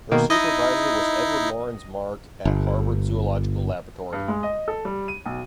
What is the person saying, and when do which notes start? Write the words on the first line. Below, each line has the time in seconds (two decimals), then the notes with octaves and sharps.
Her supervisor was Edward Laurens Mark at Harvard Zoological Laboratory.
0.11 B2 D#3 A#3
0.30 D#4 E4 D#5
2.45 G1
4.12 G2
4.28 G#3
4.43 D#5
4.68 A4
4.85 G3
5.08 D#7
5.26 B1